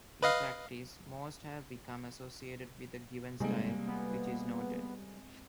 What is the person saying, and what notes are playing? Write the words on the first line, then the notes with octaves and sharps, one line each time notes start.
In practice, most have become associated with a given style, which is noted.
B4 D#5 F5
G#2 C3 G3 G#3 A#3 C4 A4
B3